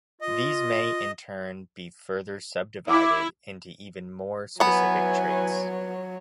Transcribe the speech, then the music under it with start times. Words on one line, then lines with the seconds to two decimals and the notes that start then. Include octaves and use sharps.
These may in turn be further subdivided into even more specific traits.
0.21 F4 D#5
2.89 E4 D6
4.60 F#3 B3 E4 B4 C#5 F#5 G#5